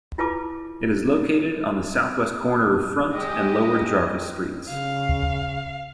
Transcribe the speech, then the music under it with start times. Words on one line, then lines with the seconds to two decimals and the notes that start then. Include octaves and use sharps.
It is located on the southwest corner of Front and Lower Jarvis Streets.
0.18 E4 F4 B4 A5 D6
3.13 G#3 G4 D#5
4.69 C#3 F5